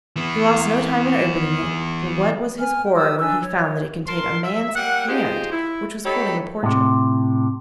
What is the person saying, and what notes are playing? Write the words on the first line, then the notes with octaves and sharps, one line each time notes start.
He lost no time in opening it, but what was his horror when he found that it contained a man's hand, which was holding a portrait.
E3 B3
G#5 F6
G5
G4 D#6 E6
D4 B4 G#5 E6
C#5
A#4 A5 C6
E5
G3 A#3 F#5
D#4 F4 G4 G#4 C5
E4
D#4 G4 A4 C#5 B5
A2 C3